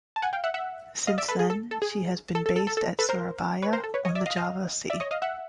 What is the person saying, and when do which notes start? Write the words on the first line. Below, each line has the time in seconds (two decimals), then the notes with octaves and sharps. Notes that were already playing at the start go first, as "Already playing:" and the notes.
Since then, she has been based at Surabaya on the Java Sea.
0.16 A5
0.22 F#5 G#5
0.33 F5 G5
0.44 E5 F#5
0.54 E5 F#5
1.07 D#5 F5
1.18 D5 E5
1.28 A4 B4
1.39 G#4
1.50 A4
1.71 A4
1.82 G#4
2.35 A4
2.46 A4
2.56 A4
2.67 A4
2.77 A4
2.99 A4 B4
3.09 A#4 C5
3.62 B4 C#5
3.73 A#4 C5
3.84 A4
3.94 B4 C#5
4.05 C#5 D#5
4.15 D5 E5
4.26 D#5 F5
4.37 D#5 F5
4.90 D5 E5
5.00 C#5 D#5
5.11 D#5 F5
5.22 E5 F#5